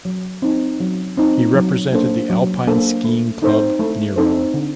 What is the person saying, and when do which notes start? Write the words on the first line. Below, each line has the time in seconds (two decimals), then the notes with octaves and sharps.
He represented the alpine skiing club Nero.
0.05 F#3
0.42 C4 D#4
0.80 F#3
1.17 C4 D#4
1.55 F#3
1.93 A#3 D4 A4 C5
2.30 F#3
2.67 A#3 D4 A4 C5
3.04 A3
3.42 C4 D#4 A4 C5
3.79 A3
4.16 C4 D#4 A4 C5
4.54 D3